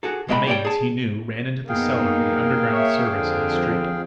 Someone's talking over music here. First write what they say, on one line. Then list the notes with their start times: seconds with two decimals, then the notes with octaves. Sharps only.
The mains, he knew, ran into the cellar from the underground service in the street.
0.03 F#4 G#4 A4
0.28 B2 G#3 D#5 E5 G5 B5
0.47 G4 C#5 D5 G5
0.65 G#4 A5
1.69 F#2 A#3 B3 D#4 G#4 F5 G5
2.71 C#5 E5
3.15 F2 D3